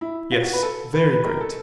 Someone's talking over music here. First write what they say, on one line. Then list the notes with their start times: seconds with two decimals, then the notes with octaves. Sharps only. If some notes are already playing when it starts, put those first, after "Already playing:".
Yes, very great.
0.01 E4
0.32 F4
0.43 F#4
0.53 B4
0.63 A4
0.94 B4
1.10 B4
1.25 A#4
1.41 A4